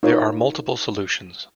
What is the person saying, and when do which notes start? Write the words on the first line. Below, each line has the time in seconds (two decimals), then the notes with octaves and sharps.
There are multiple solutions.
0.03 D#4 F4 A#4 C#5